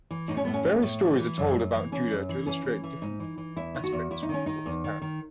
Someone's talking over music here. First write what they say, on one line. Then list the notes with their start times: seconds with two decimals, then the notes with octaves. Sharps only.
Various stories are told about Judah to illustrate different aspects of his character.
0.11 E3
0.28 A2 D#4
0.37 C#4
0.45 A2 B3
0.54 C#4
0.64 A2
0.82 A2
1.02 E3
1.20 E3
1.38 F#2
1.56 F#2
1.74 E3
1.92 E3 C#4
2.11 F#2
2.29 E3
2.47 E3 C#4
2.65 E3
2.84 E3
3.02 G#2 D#4
3.20 E3
3.38 E3
3.56 E2 E4
3.75 D#3
3.84 F#4
3.92 E2
4.11 E2 E4
4.23 D#4
4.29 D#3 C#4
4.46 D#3 D#4
4.66 E2
4.84 D#3
5.02 D#3